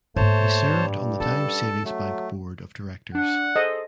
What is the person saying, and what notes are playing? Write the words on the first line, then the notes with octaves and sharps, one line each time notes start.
He served on the Dime Savings Bank board of directors.
G#2 A3 A#3 C5 C#5 A5
G2
C#4 A4 A5
F#3 A3
D4 F#5
G#4 A4 C5 D#5